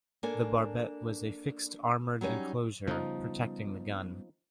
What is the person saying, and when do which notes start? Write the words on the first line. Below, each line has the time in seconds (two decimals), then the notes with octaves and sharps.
The barbette was a fixed armoured enclosure protecting the gun.
0.23 A#3 D4 A4 G#5
2.21 F#3 G3 C#4 D#4
2.87 C#3 F3 G3 B3 D#4